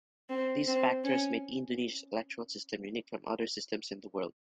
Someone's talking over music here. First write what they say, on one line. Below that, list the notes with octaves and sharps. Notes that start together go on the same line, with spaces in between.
These factors made Indonesia's electoral system unique from other systems in the world.
C4
C4
C#4